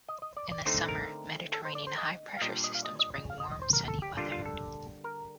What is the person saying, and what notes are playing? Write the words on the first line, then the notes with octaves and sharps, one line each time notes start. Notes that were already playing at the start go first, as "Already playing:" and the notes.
In the summer, Mediterranean high-pressure systems bring warm, sunny weather.
D#5
D#5
D5
D5
D3 A3 C4 D#4 C5
A#4
A4
C5
D5
C5
D#5
F5
A#2 G3 D4 D#5
D#5
F5
D#5
D#5
D#5
F5
D#5
D#5
C5
A#4
A4
G4
D3 G3 A#3 D4 F4
F4
A4
A#4